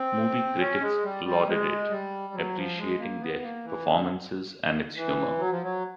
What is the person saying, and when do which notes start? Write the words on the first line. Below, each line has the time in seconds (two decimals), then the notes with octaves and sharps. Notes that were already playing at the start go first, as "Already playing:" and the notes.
Movie critics lauded it, appreciating their performances and its humor.
Already playing: C4
0.60 C#4
0.81 G#3
1.03 G3
1.25 G3
1.47 G#3
1.90 G3
2.34 F#3
2.56 F3
2.78 G#3
2.99 A#3
3.21 B3
3.43 A#3
3.64 E3
3.86 D3
4.96 E3
5.38 F#3
5.51 F3
5.63 F#3